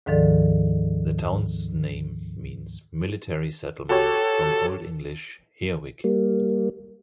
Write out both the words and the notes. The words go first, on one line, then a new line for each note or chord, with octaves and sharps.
The town's name means "military settlement," from Old English "here-wic".
D2 G#2 D#3 F3 A4 D5
F#4 G4 A4 C#5
G3 A#3